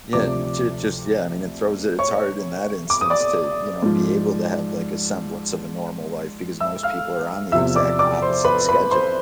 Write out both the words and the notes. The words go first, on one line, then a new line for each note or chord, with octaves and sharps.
yeah, j just, yeah, I mean, it throws it it's hard in that instance to, you know, be able to have, like, a semblance of a normal life because most people are on the exact opposite schedule,
D2 C3 F3 D5 D6
C#5 C#6
D6
D#6
D5 D6
G#2 F3
E5 E6
F5 F6
E2 C3 F3 E5 E6
D5 D6
D5 D6
C5 C6
B4 B5
B4 B5
C5 C6